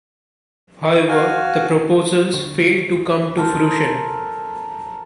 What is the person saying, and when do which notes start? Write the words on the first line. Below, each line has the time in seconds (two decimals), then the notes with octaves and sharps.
However, the proposals failed to come to fruition.
1.08 F#4 F5 G#5
2.34 D3 C#6
3.37 A4 A#4 C5